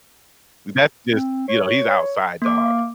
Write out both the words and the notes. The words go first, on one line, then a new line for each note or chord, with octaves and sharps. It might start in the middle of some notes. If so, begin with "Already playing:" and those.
That's just you know, he's outside dog.
C4
C#5
A#3 D6
F5